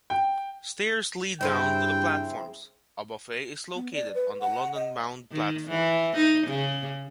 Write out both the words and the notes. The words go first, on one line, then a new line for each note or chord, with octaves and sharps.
Stairs lead down to the platforms: a buffet is located on the London-bound platform.
G5
G2 C#3 C4 E4 G5
B3
D5
B4
F#5
D#5
D#3
E3
D#4
C#3